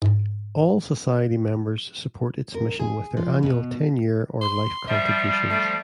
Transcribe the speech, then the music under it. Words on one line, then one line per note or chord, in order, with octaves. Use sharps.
All society members support its mission with their annual, ten-year or life contributions.
G#2
A#4
G#4
F3
B2
C6
F3 G3 E5
A3